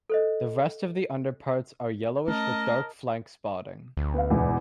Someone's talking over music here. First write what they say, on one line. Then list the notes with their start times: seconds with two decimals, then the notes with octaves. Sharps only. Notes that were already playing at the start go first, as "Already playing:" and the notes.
The rest of the underparts are yellowish with dark flank spotting.
0.10 A4 C5 D#5
2.28 A3 C#4 A#4 D#5 A5
3.97 D2
4.14 B3 F5
4.30 E2 G#2 B2